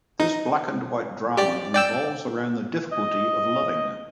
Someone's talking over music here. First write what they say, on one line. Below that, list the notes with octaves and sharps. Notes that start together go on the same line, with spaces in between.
This black and white drama revolves around the difficulty of loving.
D#4
G4 D5
D5 G5 E6
D#5